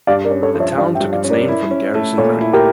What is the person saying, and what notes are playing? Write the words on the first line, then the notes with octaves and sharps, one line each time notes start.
The town took its name from Garrison Creek.
G2 D5 F5
A#4 D5
C#4
A4 C#5
F3
C#5 E5
G2 D5 F5
E5 G5
G2
D5 F5
C#4
A#4 D5
E4
C#4
A3
A#2 A4 C#5
E4
G4 A#4